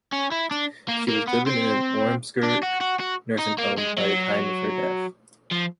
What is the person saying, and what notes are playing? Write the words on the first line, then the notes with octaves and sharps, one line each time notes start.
She was living in an Ormskirk nursing home by the time of her death.
C#4
E4
D4
A#3
A#3
B3
C4
D4
F#4
F#4
F#4
D#4
A#3
G#3
F#3
F3